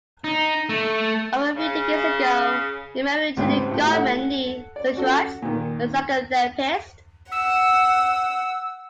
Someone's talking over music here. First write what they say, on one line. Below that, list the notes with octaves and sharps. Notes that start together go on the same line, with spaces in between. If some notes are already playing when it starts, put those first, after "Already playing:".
Over three decades ago, he married Julie Gottman nee Schwartz, a psychotherapist.
D#4
A3
C#3
C#2 G#2 C3 B3 C#5 G5
A2 E4 G4
A4 C#5 F#5
D5
C#4 F#4 A4
A#2 D#3
F#5 E6